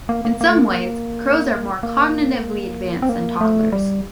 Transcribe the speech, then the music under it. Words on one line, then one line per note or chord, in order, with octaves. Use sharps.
In some ways, crows are more cognitively advanced than toddlers.
A#3
A#3
A#3
A3
A#3
A#3
C4
A#3
A3
G3